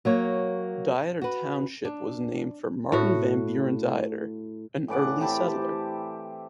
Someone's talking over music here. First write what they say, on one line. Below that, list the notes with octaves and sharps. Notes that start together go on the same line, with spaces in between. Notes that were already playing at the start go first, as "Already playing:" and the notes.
Dieter Township was named for Martin Van Buren Dieter, an early settler.
F#3 A#3 C#5
F#4 B4
D4
A2 F#4
A2 E3 D5 F#5
C4 G4 A5 B5